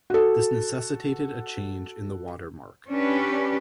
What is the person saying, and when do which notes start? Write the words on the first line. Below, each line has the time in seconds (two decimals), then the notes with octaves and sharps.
This necessitated a change in the watermark.
0.10 F#4 A4
2.91 C#4 D4 G4 B4